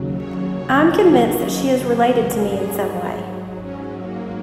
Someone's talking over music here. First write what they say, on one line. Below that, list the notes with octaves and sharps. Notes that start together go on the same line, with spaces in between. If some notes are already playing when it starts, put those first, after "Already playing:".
I'm convinced that she is related to me in some way.
Already playing: D#2 C#3 F#3
C#5
C#5
C#5
D#5
C5
A#4
G#2 F#3 G#4
C#4
A#3